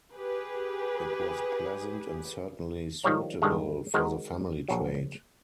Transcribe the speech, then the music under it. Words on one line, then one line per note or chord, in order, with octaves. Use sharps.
It was pleasant and certainly suitable for the family trade.
G4 G#4 B4
D#3 F3 G3 C#5 A#5
G2 D3 D#3 G#3
D#3 G#3 D#4 F#4 A#4 C5
A#1 F#3